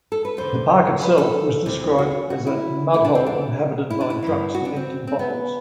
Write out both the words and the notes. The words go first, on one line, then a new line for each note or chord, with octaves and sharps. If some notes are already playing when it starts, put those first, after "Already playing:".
The park itself was described as a "mudhole inhabited by drunks and empty bottles".
A4
B4
E2 D3 C5
B4
A4
D2 C3 E3
F#4
F#4
E4
E2 D3 E4
D4
C4
D4
E4
D4
E4
G2 E3
F#4
D4
C4
C4
B3